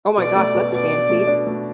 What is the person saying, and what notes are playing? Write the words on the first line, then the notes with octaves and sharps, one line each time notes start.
Oh my gosh, that's fancy.
B2 D5
A3
B2
B2 D5
D4
A3
D4
A3